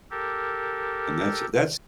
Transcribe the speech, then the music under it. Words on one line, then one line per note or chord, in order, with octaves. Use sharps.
And that's that's
G4 A4 A#4